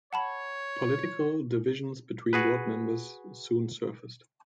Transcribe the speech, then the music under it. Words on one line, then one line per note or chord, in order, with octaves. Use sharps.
Political divisions between board members soon surfaced.
C#5 F#5 A5 B5
F#4 G#4 B4